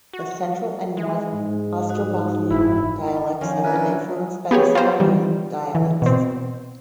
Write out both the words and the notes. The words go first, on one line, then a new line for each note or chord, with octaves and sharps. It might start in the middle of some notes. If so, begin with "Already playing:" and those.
The Central and North Ostrobothnian dialects have been influenced by the Savonian dialects.
F#4
G#3
G#2
D#4 F#4
F#1 E4
D5
D#3 F3 C#4
D4 E4 A#4 B4 G#5
B3 G4 G#4 C#5
F4 G4 C5 A#5
E3 G3
E3
B2 C4